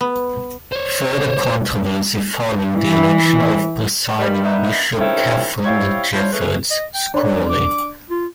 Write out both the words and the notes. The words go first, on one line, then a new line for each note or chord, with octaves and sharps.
Further controversy followed the election of Presiding Bishop Katharine Jefferts Schori.
B3
C5 C#5
E3
D#3 G3
A#3 B3 D4 D#4 E5
D#3 F3 G#3 C4 C#4 E4
G3 C4 E4 C#5 F5
D4 E4 F4 C5 C#5
E3 G#3 A3 C#4 G#4 B4
D#5
G5
D4 C#5
D6
F4